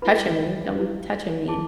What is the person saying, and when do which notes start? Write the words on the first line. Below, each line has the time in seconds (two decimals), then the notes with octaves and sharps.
touching me. Don't be touching me.
0.02 E4 B4 B5
0.75 E4 B4
1.48 E4 G#4 C#5 A5